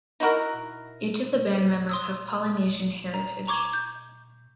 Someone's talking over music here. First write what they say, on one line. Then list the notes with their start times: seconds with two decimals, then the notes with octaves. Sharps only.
Each of the band members have Polynesian heritage.
0.20 D#4 E4 F#4 A#4
1.89 C6 D#6 E6
3.14 A#5
3.47 A#5 C#6 D6 G#6 G7
3.73 G6